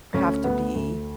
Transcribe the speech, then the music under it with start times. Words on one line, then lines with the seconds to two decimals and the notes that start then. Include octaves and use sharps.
have to be
0.14 D2 C#4
0.44 D2 B3
0.75 D2